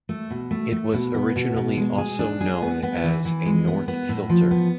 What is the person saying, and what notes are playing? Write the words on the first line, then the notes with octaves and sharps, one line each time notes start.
It was originally also known as a "North filter".
A3
B2
A3
A3
B2
B3
B2
B2
G#3
G#4
D4
G#4
B3
B3
E3
E3
G#3
B3
B3
A2
F3
B3